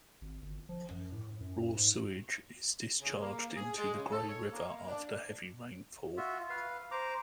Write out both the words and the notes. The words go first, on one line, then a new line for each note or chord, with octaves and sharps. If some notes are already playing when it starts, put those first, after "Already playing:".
Raw sewage is discharged into the Grey River after heavy rainfall.
G#1
G1
F3
F#2
A2
F#2
G#2
C#3
A#3
G#4
G#3
C#3
A4
C#5
A#3
D4
F4 F#4 E5
B4 F5
C5 A#5 D6